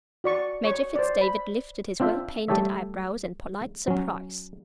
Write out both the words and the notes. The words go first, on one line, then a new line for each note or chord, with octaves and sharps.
Major Fitz-David lifted his well-painted eyebrows in polite surprise.
F#4 D5 C#6
C#5 C#6
C5 D5
B5
C4 D4 F4 C5 E5
G3 A3 G4 A4 C#5 E5
F#3 C#4